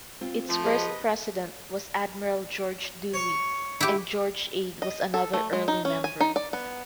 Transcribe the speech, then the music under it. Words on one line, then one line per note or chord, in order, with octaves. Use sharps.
Its first president was Admiral George Dewey, and George Ade was another early member.
C4 F4
F3 A3
C3 G#4 A4 B4 D#5
C#5 C#6
E4 G4
D#5
A4
A3
G#3
D#4
C#4
G#5
D#4
D5
B3